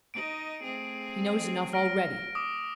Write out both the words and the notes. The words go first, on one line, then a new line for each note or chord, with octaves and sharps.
He knows enough already.
D#4 D#5 D7
A3 C4 G#4
F6 A#6 D7
D6 D#6